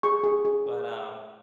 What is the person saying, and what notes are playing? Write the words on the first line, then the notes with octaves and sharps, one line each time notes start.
But, um,
G#4 C#6
G#4
G#4
G#4